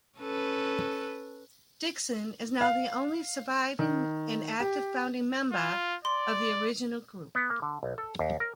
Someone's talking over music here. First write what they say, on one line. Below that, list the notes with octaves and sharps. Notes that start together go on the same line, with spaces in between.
Dixon is now the only surviving, and active, founding member of the original group.
C#4 A4 B4
F5
D#3
G4
F4
D5 C6
B3
A#3
D3
B1
A4
D#2
A#4